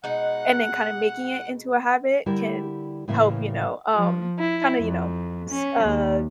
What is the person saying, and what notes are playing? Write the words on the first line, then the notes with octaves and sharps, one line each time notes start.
and then kinda making it into a habit can help, you know, um, kinda, you know, s uh,
B2 G#3 D#4 F#5 F#6
D3 G3 E4 G4 A#4 D5
A2 C#3 E3 A#3 E5
F3
E4
F2
C#4
D#2